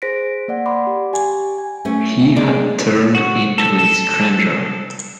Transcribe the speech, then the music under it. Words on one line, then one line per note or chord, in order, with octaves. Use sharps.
He had turned into a stranger.
G#4 C5 A#6 B6 D7
A#3 D5 F#5
D5 F#5 B5 C6 D6
G4
G4 G#5
G#5
A3 C#4
G#3 D5
F#4
A4